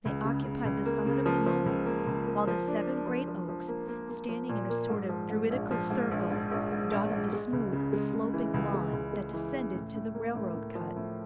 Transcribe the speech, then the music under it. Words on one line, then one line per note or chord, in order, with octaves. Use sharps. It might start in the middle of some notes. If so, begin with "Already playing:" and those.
They occupied the summit of the knoll, while the seven great oaks, standing in a sort of druidical circle, dotted the smooth, sloping lawn that descended to the railroad cut.
C#2
C#3
C#3
C#2
A#3
C#3
F3
F3
C#2
A#3
C#2
A#3
F3
D4
D4
F3
F3
F3
A#3
A#3
A#3
F3
A#2
A#3
G#2
F3
G#2
A#1
F3
G#2
A#1
G#2
A#1
G#2
A#1
G#2
G#3
C#2
C#3
G#3
C#3
E3
C#2
G#3
C#2
G#3
E3
C#3
A2
A2
A#3
A2
A2
F3
A2